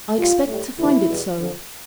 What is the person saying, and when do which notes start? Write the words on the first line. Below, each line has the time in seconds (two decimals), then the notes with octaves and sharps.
I expect to find it so.
0.18 A2 G3 F4
0.48 A2 G3
0.78 D2 C3 E3 E4
1.08 E2 B2 G3
1.38 F2 D3 F3